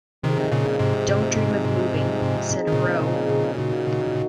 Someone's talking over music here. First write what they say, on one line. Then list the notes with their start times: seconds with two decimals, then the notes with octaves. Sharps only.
"Don't dream of moving," said Rowe.
0.24 C3 D#3 F3 C4 D#4 G#4
0.52 A#2 C#3
0.79 G#2 C3
2.67 D#3
2.72 A#2 C#3
3.54 D#3 A#3 D#4 F#4